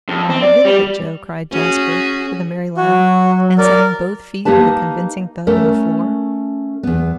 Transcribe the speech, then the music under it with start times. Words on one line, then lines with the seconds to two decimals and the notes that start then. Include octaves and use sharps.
"Not a bit of it, Joe!" cried Jasper, with a merry laugh, and setting both feet with a convincing thud on the floor.
0.09 F2
0.30 C4
0.42 D5
0.65 G3
1.52 C#4 F#4 G#4
2.77 F#3 F#4
3.58 A#4 D5
4.45 A#3 D#4 G4 B4 A5
5.47 A3 C#4 A4 A#4
6.83 E2 B3